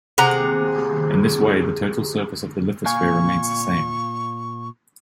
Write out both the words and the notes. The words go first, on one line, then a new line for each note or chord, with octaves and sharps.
In this way, the total surface of the lithosphere remains the same.
C3 G#4 F#5 A#5
A#2 F5 G#5 C#6